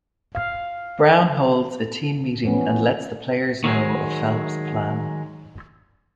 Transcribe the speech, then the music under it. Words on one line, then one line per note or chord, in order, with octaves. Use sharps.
Brown holds a team meeting and lets the players know of Phelps' plan.
F5
E3 F3 B3 C#4
D#3 F#3 G#3